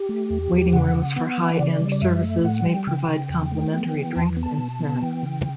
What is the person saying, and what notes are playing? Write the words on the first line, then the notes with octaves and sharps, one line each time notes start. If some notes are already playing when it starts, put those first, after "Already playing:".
Waiting rooms for high-end services may provide complimentary drinks and snacks.
Already playing: G4
A3
E2
E2
C#3 F#5
C#3
B3
E3
C#3 D5
G3
D5
F#2 E5
A3
A2 F#5
G3 G5
C#3 G5
C#3
E2
A3
B3
E3
E2 A5
B3
A5
B2
B3
E3 G5
C#3